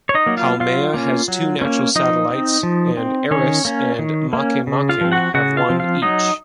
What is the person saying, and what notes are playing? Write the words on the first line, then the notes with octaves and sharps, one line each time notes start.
Haumea has two natural satellites, and Eris and Makemake have one each.
C#5
D#4 D#5
F#3 A#3
F4 F5
F#3 F4 F5
A#3 C#4
F#3
A#3 C#4
F3 D#4 D#5
C4
F3
C4
D#3 C#4 C#5
A#3 C#4
D#3
A#3 C#4
C#3
F4 F5
F3 C4
F#4 F#5
C#3 F#4 F#5
F4 F5
F3 C4
F4 F5
F#3 D#4 D#5